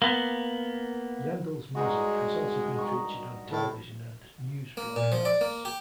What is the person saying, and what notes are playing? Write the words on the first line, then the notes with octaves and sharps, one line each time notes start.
Yandall's music has also been featured on television and news broadcasts.
A#3 B3
G2 G#3 D#4 F#4
A#4 D#5 C#6
A2
A#3
A#2
F3
D5
A#3
G4